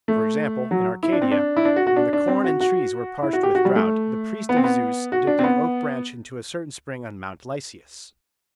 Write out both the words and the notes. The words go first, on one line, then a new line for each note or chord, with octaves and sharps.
For example, in Arcadia, when the corn and trees were parched with drought, the priest of Zeus dipped an oak branch into a certain spring on Mount Lycaeus.
A3
F#3
E4
D4
C4
D4
E4
D4
F#4
F#4
D4
D4
C4
F#4
F#4
E4
F#4
G4
F#4
G3
A3
B3
C4
B3
F#4
D4
C4
B3